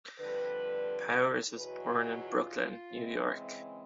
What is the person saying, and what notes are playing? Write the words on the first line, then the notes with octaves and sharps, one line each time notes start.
Powers was born in Brooklyn, New York.
F2 D3 G3 B4
E2 B2 F#3 B4
F4
C#3 E3 G#3 C4